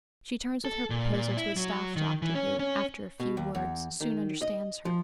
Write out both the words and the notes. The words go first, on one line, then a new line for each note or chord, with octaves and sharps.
She turns with her proposal to a staff doctor who, after a few words, soon understands her.
A4
A#2
A#2
E4
F#3
D#3
E3
C#4
C#4
B2
D#2
E2
D#3
D#5
F3